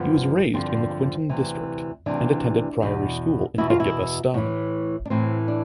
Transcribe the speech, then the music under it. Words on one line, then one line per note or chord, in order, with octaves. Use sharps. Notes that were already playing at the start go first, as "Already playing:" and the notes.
He was raised in the Quinton district and attended Priory School in Edgbaston.
Already playing: G2 D3 F3 B3
G2 D3 F3 C4
D2 C3 E3
D2 C3 E3 D4
E2 B2
E2 B2 E4
F4
E4
A2 E3
D4
A2 E3 C4
D4